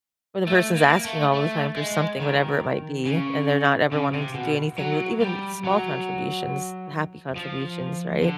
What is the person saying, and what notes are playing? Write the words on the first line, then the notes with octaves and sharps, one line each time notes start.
Or the person's asking all of the time for something, whatever it might be, and they're not ever wanting to do anything that even small contributions, happy contributions, right?
A3
A#3
A3
A3
G#3
D#3
C#3
C#3
C3
B2
F#3
G3
F#3
F3
D3